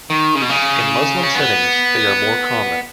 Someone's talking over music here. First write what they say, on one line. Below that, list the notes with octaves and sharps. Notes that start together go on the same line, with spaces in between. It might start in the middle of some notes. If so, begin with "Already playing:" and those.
In Muslim settings they are more common.
D#3
C#3
B2
C#3
C#4
B3